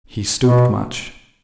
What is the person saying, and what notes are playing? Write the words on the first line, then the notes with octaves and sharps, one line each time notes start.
He stooped much.
B2